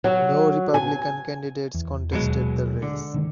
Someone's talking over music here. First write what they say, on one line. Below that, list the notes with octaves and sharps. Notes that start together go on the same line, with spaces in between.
No Republican candidates contested the race.
F#3
G#5
E2
D#1 B2 F#3 G#3
D3
D3 D#3 G#3